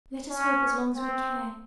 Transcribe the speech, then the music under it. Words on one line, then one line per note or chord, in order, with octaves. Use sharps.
'Let us hope as long as we can.
C#4
C4